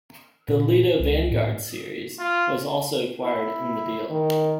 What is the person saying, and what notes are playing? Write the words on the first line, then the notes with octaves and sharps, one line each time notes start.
The Lledo Vanguards series was also acquired in the deal.
A#2
C#2
A2
F4
E4
D#3